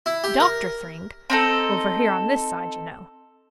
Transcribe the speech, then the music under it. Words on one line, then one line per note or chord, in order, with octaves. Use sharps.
"Doctor Thryng--over here on this side, you know."
E4
G4
A#4
C4 D#4 A4